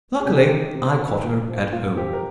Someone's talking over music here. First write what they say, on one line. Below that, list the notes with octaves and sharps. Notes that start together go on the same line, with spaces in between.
Luckily, I caught her at home.
G#4
C3 G4
D#3
C3
D#3
A#2
F3
A#2 F4
F3 G4
A#4